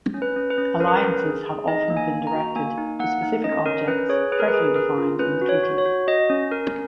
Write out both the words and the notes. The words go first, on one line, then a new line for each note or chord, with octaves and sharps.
Alliances have often been directed to specific objects carefully defined in the treaties.
C#4
B4
C#4
B4
C#4
C#4 A#4
B4
A#4
C#4
G#4
G#4
D#4 D#5
A#3
G#5
A#3
A#5
F#4
A#3 G#5
D#4
A#3 F#5
D#4
C#4 D#5
C#4 A#4
C#4 B4
G#4 C#5
G#4 B4
A#4
B4
G#4
G#4 A#4
F4
C#4 B4
F#4
C#5
F#4
C#5
F#4
F#4 D#5
C#4
C#4 A#4